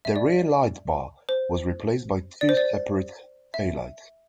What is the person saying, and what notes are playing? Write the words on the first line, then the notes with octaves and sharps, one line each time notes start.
The rear lightbar was replaced by two separate taillights.
E5
D5
C5
D5
C5
D5
E5